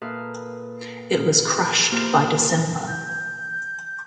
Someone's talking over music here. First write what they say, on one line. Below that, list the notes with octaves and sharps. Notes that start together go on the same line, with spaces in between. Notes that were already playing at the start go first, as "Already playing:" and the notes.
It was crushed by December.
A#2 A4 B4 F5 D#6
F4 G#4
A#3 E4 F4 G4 A#4 C5
G6